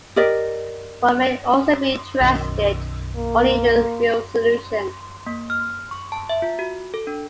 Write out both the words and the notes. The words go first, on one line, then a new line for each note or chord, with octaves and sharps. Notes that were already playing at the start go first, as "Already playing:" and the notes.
One may also be interested only in the real solutions.
G4 A#4 D5 D#5
B1 F#2 D#3
A#3
A#3
F6
C#6
A5
E5
F4
F#4
A4
D4